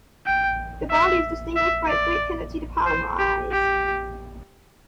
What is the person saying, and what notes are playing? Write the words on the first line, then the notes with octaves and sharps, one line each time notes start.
The body is distinguished by its great tendency to polymerize.
G5
E5
E5
D5
C5
G4
G4